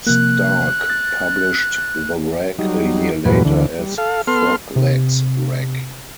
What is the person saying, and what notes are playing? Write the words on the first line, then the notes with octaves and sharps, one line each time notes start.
Stark published the rag a year later as "Frog Legs Rag".
C3 F3 A#3 F#6
A6
F#3 G3 D#4
E2 G2 A#2 F#3 G#3 B4
D2 D3 E3
G3
A4 F5
B3 A4 C6 F6
C3